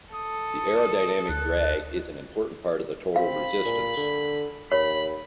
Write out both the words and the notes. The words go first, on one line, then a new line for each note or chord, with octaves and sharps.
The aerodynamic drag is an important part of the total resistance.
A4 D#6
D2 F#6
C4 F5 B5
A#2
D3
D#2 C#5 B5